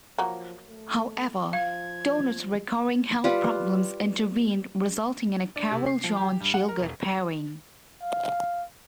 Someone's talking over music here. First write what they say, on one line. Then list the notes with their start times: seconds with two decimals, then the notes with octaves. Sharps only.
However, Donat's recurring health problems intervened, resulting in a Carroll-John Gielgud pairing.
0.18 F3 F#3 A#3
0.68 A3
1.53 F3 F5 G#6
3.24 G3 F4 B4
5.56 D4
5.71 C3
5.86 C7
6.04 F3
6.17 G4
6.40 G2
6.54 F#5
6.68 A#4
6.80 E1
8.02 F5